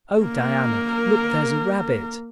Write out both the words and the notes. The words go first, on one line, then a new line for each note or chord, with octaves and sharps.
Oh, Diana, look, there's a rabbit.
A#3 A#4